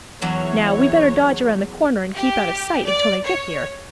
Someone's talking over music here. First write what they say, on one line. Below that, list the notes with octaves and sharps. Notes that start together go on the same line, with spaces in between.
Now we'd better dodge around the corner and keep out of sight until they get here.
E2 E3 F#3 C#5 E5
G4
D5
C#5